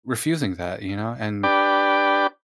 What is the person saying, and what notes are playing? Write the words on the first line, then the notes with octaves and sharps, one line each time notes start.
refusing that, you know, and
D4 G4 B4 D5 G5